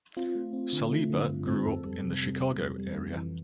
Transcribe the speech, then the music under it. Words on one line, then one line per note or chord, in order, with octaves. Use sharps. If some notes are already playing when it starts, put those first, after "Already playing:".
Saliba grew up in the Chicago area.
C4 F4
A3
C4
D3
A3
D3
G2
C4
F2 A4
G3
C3
G3
G3
F2
G3
F2
E3